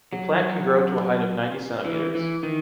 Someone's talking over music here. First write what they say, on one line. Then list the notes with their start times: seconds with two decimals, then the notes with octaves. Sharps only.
The plant can grow to a height of ninety centimeters.
0.13 F#3
1.86 E3
2.15 E3
2.43 D#3